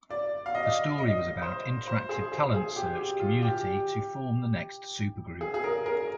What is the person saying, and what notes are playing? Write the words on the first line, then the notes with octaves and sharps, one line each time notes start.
The story was about interactive talent search community to form the next Supergroup.
D5
F5
D#5
D#5
C5
C5
G#4
G#4
G#4
G4
G4
F4
G4
G#4
G#4
A#4
A#4